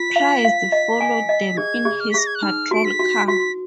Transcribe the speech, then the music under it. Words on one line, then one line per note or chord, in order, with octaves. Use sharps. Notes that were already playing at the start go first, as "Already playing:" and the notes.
Price followed them in his patrol car.
Already playing: F4 B6
F5
F5
D#5
G#5
D#5
G#4 G#6
G#4
F6
B6
G#4 A#6
G#6
F#6
D#4 F6
F#4 D7
B6
F#4
F#4 B6